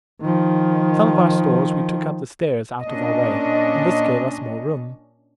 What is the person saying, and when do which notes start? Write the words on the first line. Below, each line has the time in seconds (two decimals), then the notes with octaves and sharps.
Some of our stores we took up the stairs out of our way, and this gave us more room.
0.21 D#3 F3
2.86 A#2 C#4 D4 D#5